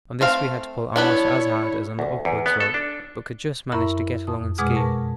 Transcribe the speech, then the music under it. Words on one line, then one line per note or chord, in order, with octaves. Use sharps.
On this we had to pull almost as hard as on the upward slope, but could just manage to get along on ski.
A3 C4 F5
B3 D4 E4 B4 C#5
D2
E2
B3
A4
D4
F#2 E4 A#4 E5 B5 C#6
F2 D#6
B2 G#3 G#4 F#5 D6 F6
A#4 B4 A5 C#6